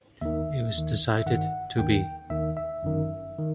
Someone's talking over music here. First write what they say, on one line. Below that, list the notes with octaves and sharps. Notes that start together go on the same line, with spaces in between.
It was decided to be.
D#2 D#3 E5
D#2 D#3
E5
G1 G2 D#3 F#5
D#2 D#3 G5
D#2 D#3 E5
E5
G1 F#2 D#3
D#3